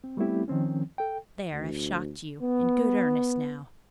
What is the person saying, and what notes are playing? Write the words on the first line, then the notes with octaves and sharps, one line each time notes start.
There, I've shocked you in good earnest now.
C4
G3 A3 B3 C4 E4 G4
D#3 F3 C4 C#4
A4 G5
D2
B3